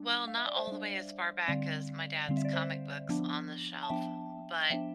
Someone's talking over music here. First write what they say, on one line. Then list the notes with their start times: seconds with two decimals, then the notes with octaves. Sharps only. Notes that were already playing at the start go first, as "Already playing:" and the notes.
Well, not all the way as far back as my dad's comic books on the shelf, but
Already playing: G3 D4
0.28 F5
0.37 E5
0.47 D5
0.56 C5 E5
0.67 G3 D4
1.48 D3 G3 C4 D5 F5
2.28 D3 G3 C4 F5
2.37 E5
2.45 D5
2.53 C5 E5
3.09 F3 B3 D4
3.83 A5
3.89 F3 B3 D4 E5 G5
4.70 F3 B3 D4 E5 G5